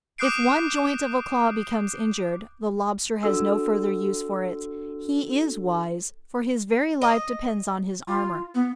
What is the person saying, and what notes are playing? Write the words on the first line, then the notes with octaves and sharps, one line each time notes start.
If one joint of a claw becomes injured the Lobster has no further use for it; he is wise, for his very life depends on his armour.
D6 D#6 F#6 G6 C7 D7
D4 F#4 A4 E6
D#5
F4
B3